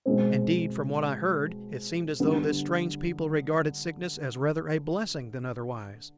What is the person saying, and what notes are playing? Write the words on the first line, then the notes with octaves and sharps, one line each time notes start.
Indeed, from what I heard it seemed as though this strange people regarded sickness as rather a blessing than otherwise.
B2 G#3 C4
D3 G3 B3